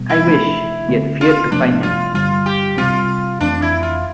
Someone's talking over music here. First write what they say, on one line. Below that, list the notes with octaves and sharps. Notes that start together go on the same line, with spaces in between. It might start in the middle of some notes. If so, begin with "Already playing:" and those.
I wished, yet feared, to find him.
Already playing: B2 G3 B3
E4
C3 F3 A3 D4
D3 A3 C4
F4
C3 F3 A3 D4
F4
G2 D3 G3 F4
G4
C3 G3 C4 F4
F2 E3 A3 C4 D4
E4
F4